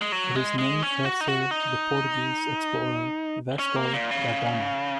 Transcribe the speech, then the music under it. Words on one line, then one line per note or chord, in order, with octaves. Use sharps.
It is named after the Portuguese explorer Vasco da Gama.
G#3
F#3
G#3
G#3
C#4
F#4
D#4
F#4
D#4
C#4
A#3
A#2
C#3